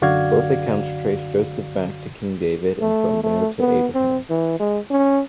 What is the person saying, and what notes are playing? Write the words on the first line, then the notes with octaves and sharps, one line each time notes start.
Both accounts trace Joseph back to King David and from there to Abraham.
F#2 D3 F#4 D5 F5 G#6
A3
A3
B3
C4
E3
G#3
C#4